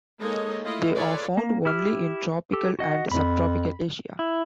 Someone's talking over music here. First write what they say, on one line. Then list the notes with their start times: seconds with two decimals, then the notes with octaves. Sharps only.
They are found only in tropical and subtropical Asia.
0.20 G#3 A#3 D#4 A4 C#5 D#5
0.64 A3 E4 F4 D#5
0.96 F4 G#4 A4 B4 C#5 D5
1.37 A#3
1.65 E4 G4 F6
2.53 G4 A4
2.79 F#4 D#5 F#5
3.12 F2 B5
4.19 E4